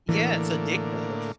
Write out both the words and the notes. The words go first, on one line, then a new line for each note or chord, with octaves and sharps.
Yeah, it's addictive.
A2 D3 E3 A#3